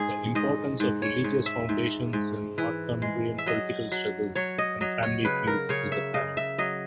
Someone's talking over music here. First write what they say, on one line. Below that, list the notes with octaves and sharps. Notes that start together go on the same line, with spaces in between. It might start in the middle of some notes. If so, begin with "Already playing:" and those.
The importance of religious foundations in Northumbrian political struggles and family feuds is apparent.
Already playing: G#2 G#4
G#2 D#5
G#2
C#5
G#2
E5
G#2
G#2
E3
G#3
E5
F#3 D#5
F#3
F#3 C#5
D#5
F#3 D#5
C#5
C#3 B4
A#4
C#3 C#5
E5
C#3 D#5
E5
F#3 D#5